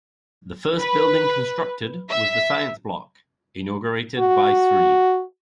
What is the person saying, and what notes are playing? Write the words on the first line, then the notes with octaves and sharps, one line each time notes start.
The first building constructed was the science block, inaugurated by Sri.
B4
E5
F#4